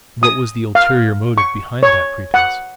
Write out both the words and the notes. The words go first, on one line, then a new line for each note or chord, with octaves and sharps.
What was the ulterior motive behind that pretence?
D#6
F5
C#6
C#5
F#5